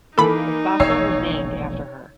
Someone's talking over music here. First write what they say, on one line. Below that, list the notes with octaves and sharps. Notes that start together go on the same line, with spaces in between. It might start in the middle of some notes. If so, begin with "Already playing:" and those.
A fossil was named after her.
E3 A#3 D#4 A4 B5
E1 A#1 E2 C#5 E6 C7